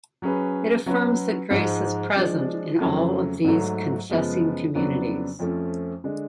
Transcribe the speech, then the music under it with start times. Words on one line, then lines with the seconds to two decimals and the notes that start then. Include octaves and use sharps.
'It affirms that grace is present in all of these confessing communities.
0.22 F#3 C#4 G#4 B4
0.86 F#3 C#4 F#4 B4
1.51 G#2 F3 G#3
2.16 F3 G#3 D4
2.80 F2 C#3 F#3 A3
3.44 G#2 F#3 A3
4.10 F#2 C#3 F3 G#3 B3
4.75 F2 C#3 F#3 B3 D4
5.39 F2 F3 A3 C#4
6.04 D3 G#3 D4